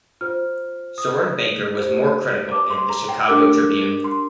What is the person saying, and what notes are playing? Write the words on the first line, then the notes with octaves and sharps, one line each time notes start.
Soren Baker was more critical in the "Chicago Tribune".
F4 C5 F6
D#6
G4 C5
D6
C6
A#5
G5
D4 G4 A#4 D6
C6